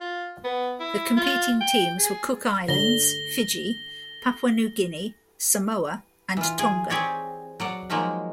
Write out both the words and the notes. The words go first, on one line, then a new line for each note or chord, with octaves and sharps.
The competing teams were Cook Islands, Fiji, Papua New Guinea, Samoa and Tonga.
F4
B3
E4
F4
G5
G#4
D3 A#6 G7
E3 F4
G#4
C4 G4 G#4 C#5 D5
F#3 D5 F#5
D#3 F3 F#3 G#3 A#3